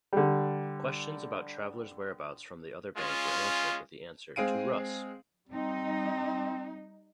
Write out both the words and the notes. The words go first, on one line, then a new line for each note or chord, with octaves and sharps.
Questions about travelers' whereabouts from the other bank were answered with the answer To-Rus!
D3 G3
G#3 C#4 F4
G#3 C4 G#4 F5 D7 D#7
G3 C4 D#4